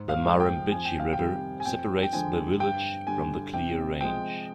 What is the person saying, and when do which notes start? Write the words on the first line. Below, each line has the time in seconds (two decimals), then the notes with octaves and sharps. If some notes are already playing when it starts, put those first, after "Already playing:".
The Murrumbidgee River separates the village from the Clear Range.
Already playing: G#2
0.09 F5
0.25 F3 G#3
0.40 G5
0.72 F2 G#5
0.85 G5
1.00 F5
1.13 G5
1.19 C3 D#3 G3
1.60 G#5
1.65 F2 G5
2.03 G5
2.13 D3 F3 G#3 G#5
2.60 G2 G5
3.07 D3 G3 G#5
3.54 C3 G5
4.01 F3 G#3 G5